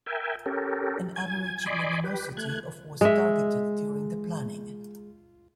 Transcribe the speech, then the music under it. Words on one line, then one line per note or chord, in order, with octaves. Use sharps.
An average luminosity of was targeted during the planning.
A#4 E5 G5 G#5
C#4 G4 A4 A#4
G#5 G#6
D5 D#5 G#5 B5 C6 D6
G4 B4
A3 F#6 G#6
G#3 E5